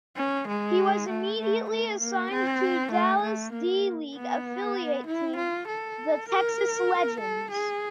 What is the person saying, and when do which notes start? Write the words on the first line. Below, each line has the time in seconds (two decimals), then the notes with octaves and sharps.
He was immediately assigned to Dallas' D-League affiliate team, the Texas Legends.
0.16 C#4
0.48 G#3
1.09 A3
1.39 A3
1.70 A3
2.00 A#3
2.31 C4
2.92 A3
3.22 A3
3.53 A#3
4.15 B3
5.07 E4
5.36 F4
5.68 A4
6.29 A#4
7.20 A4
7.51 G#4